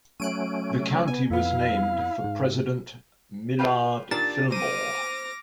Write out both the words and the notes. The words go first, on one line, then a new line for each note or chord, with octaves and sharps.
The county was named for President Millard Fillmore.
F#3 A3 C#4 F#6 D7 D#7
B3 G#5
F2 B3 E4 F5
G#2
F4 G4 B4
A#2 D#3 D4 G4 A6
C5 D6 F6 A#6 D#7